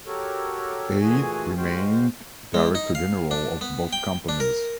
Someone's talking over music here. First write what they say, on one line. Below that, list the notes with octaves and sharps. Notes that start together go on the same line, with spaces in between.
Eyde remained director-general of both companies.
F#4 G4 A4 A#4 C#5
A#2 E3 A3 F#4 G#4 G#5
G#3 F#4 C5 F5 G5
G#3
D#4
F5
D4
B3
G5
D4
A#4